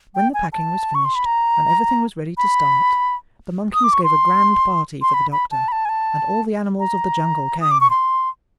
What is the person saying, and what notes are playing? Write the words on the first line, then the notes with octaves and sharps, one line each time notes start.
When the packing was finished and everything was ready to start, the monkeys gave a grand party for the Doctor, and all the animals of the jungle came.
G5
G#5
A5
C#6
C6
B5
A#5
B5
D#6
D6
C#6
C6
C6
B5
B5
A5
B5
A5
G#5
A5
A#5
D#6
D6
C#6
C6